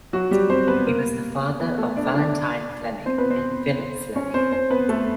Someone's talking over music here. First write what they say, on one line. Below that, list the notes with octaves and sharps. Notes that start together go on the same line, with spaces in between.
He was the father of Valentine Fleming and Philip Fleming.
F#3 F#4
G3 G4
C4 C5
B3 B4
A#3 A#4
B3 B4
A3 A4
D4 D5
D4 D5
C4 C5
B3 B4
C4 C5
C#4 C#5
C4 C5
C4 C5
B3 B4
A3 A4